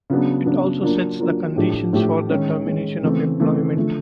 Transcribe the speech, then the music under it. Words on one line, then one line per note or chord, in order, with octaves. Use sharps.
It also sets the conditions for the termination of employment.
C#3 F#3 B3 D4
C#3 F#3 B3 D4
F#3 A#3 D4 F4
F#3 A#3 D4 F4
A2 F3 A3 D4 G4
A2 F3 A3 D4 G4
D#3 G#3 C#4
D#3 G#3 C#4
C#3 E3 A3 C4
C#3 E3 A3 C4
D3 F3 A3